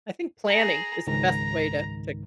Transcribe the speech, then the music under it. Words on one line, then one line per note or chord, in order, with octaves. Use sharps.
I think planning is the best way to to,
G#4 A#5
C#2 G#2 D#3 A#5